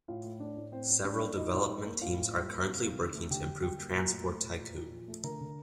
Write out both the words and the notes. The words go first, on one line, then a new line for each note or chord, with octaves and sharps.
Several development teams are currently working to improve "Transport Tycoon".
A2 F4 F5
A3
A3 D4 D5
A2
A2 C4 C5
A2
G3 D4 D5
A#3
A#2 D#4 D#5
A#2
G3
A#3
A2 F4 F5
A2
G3
A#3
C3
C3
D#3
A3
D3 G4 G5
D3
G3 G4 G5
A#3
A#2 A#4 A#5
A3
A3
A#2
A#2
A#2
F3
A3
D3 A#4 A#5
D3